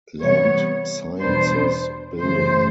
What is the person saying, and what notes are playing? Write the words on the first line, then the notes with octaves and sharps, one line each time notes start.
Land Sciences Building.
C3 E3 G3 B3 C#5
E2 B2 G3 B3 D4 C5
F#2 C#3 E3 A3 C5